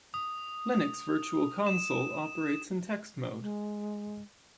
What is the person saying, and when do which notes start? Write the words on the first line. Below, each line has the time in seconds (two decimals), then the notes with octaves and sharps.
Linux virtual console operates in text mode.
0.14 D#6
1.67 E7
3.41 G#3